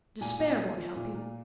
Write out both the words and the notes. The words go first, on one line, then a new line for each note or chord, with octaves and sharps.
Despair won't help you.
A#2 G#5
A#2
A3
F3
A#2
A#2